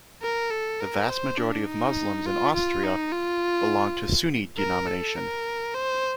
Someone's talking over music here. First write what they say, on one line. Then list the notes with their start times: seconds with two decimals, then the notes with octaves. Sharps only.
The vast majority of Muslims in Austria belong to Sunni denomination.
0.22 A#4
0.51 A4
0.80 A#4
1.09 C5
1.38 D4
1.67 D#4
2.26 F4
2.54 F4
2.83 D#4
3.12 F4
4.58 A#4
4.87 A4
5.16 A#4
5.74 C5